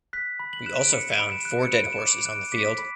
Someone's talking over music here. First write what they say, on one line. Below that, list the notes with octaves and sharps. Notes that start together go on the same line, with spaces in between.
We also found four dead horses on the field.
F#6 B6
B5
F#7
F#6 E7
D7
B5 C#7
D7
B5
E7
F#6
C#7
B5 D7
E7
D6
D7
F#6
D7
D6 B6
B5